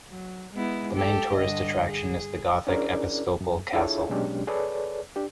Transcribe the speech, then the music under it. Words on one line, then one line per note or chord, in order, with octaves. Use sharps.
The main tourist attraction is the Gothic Episcopal castle.
F#3
G#3 B3 E4
G4 A4
G2 D3 D#5
G#4
C#4 D4 E4 G#4 A#4 D5
F#2
D4 E4 F4 G#4 A4 C#5
B2 F#3 G#3 C#4 D4 G4
G#4 A4 B4 C#5 D5
D4 G4